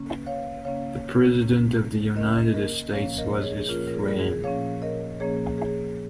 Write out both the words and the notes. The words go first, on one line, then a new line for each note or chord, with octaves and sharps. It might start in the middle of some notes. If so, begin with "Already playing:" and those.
The President of the United States was his friend.
Already playing: C#3 A#3 C#4
C#5 F5
C#3 A#3 C#4 C#5 F5
C#3 A#3 C#4
C#3 A#3 C#4 A#4 D#5
A#4 D#5
A#2 F3 A#3 C#4 C#5 F5
A#4 D#5
G#4 C#5
A#2 F3 A#3 C#4 F4 A#4
A#4
G#4
A#4
G#4
A#2 F3 A#3 C#4 C#5 F5
A#4 D#5
A#2 F3 A#3 C#4 G#4 C#5
G#4